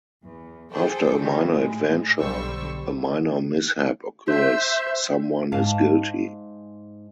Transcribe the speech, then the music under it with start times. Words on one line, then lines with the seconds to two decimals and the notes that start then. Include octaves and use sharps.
After a minor adventure a minor mishap occurs; someone is guilty.
0.24 E2
0.71 G#4 A4 C5 G5
1.20 D#3 G3 F#4
1.52 A2 G#3
2.18 B1 D3 G3 C5 C#6 E6
4.28 C5 E5
5.52 G#2 F5 A5